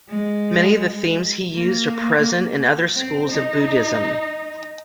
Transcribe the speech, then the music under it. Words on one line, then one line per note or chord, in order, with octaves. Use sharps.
Many of the themes he used are present in other schools of Buddhism.
G#3
A#3
C4
D#4